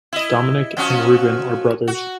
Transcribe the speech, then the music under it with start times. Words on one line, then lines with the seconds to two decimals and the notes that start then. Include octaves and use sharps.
Domenic and Reuben are brothers.
0.13 E4 D#5
0.77 F3 C#4 F#4
1.88 F#4